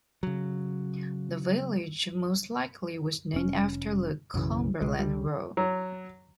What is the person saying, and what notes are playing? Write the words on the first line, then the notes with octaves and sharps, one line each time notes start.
The village most likely was named after the Cumberland Road.
C#3 F#3
F1 C#4
B1 F#2 C#3 E3
B1 G#3
C#2 D3 G3
F#3